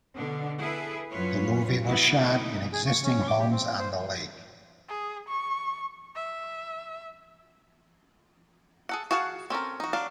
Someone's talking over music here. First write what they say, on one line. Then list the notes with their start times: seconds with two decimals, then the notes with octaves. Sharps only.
The movie was shot in existing homes on the lake.
0.16 B2 D3 B3 D4
0.58 E4 G#4 A4 B4
1.10 F#2 F4 B4 C#5
1.82 B2 B3 E4 F#4
2.22 A3 D#4 E4
2.73 G#4
2.86 C#6
3.03 C#4
3.27 D6
3.39 G4
3.51 C4
3.79 C5
4.89 G#4
5.28 C#6
6.15 E5
8.89 G#4 A4 F#5
9.11 F#4 G#4 F5 F#5 A5
9.50 C4 C#4 A4 A#4
9.80 D#4 F#4
9.93 F#3 D4 F5